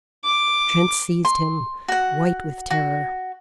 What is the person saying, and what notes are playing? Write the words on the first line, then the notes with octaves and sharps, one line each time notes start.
Trent seized him, white with terror.
D6
C6
F#4 F#5
F#4